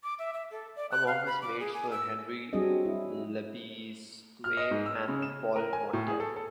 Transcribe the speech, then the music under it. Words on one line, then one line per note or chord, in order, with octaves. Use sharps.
Among his mates were Henri Lebesgue and Paul Montel.
D6
E5
E5
A4
D5
F#6
F5
B5
D6
G#4
G#5
E6
F#3 G3 C4 D4 G#4 D#5
E4
F6
D#5
G#2
E6
C#3
E7
A#4
G#5
A2
G#4
A4
A4